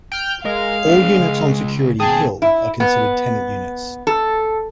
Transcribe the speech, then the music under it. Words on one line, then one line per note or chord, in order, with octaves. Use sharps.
All units on Security Hill are considered tenant units.
G5 F6 G6
G#3 A#4 F5
B3 D4
C#2
D#2 B2 G#4 G5 A5
E4
B3
A4